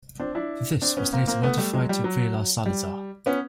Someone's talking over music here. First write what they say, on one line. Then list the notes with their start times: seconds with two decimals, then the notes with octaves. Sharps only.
This was later modified to Vila Salazar.
0.20 C4 D4
0.35 D4 E4
0.82 C4 D4
0.97 B3 C#4
1.12 A#3 C4
1.27 A#3 C4
1.42 A3 B3
1.58 G3 A3
1.73 F#3 G#3
1.89 G3
2.04 F#3
2.66 G3
3.26 B3 C#4